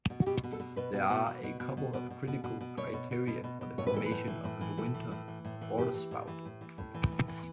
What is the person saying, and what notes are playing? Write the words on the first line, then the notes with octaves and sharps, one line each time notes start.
There are a couple of critical criteria for the formation of a winter waterspout.
B2
F#4
B2 G4
B2
A4
B2
B2 B4
B2
B2
B2
B2
B2
B2
B2
B2
B2
B2
B2
B2 C#5
B2
B2
B2
B2
B2
A2 C#5
B4
E3 A4
B4
A2
E3
A2
E3
A2 A4
E3
A2
E3
A2
E3
A2 G4
E3
A2
E3
A2
E3
A2
E3
A2
E3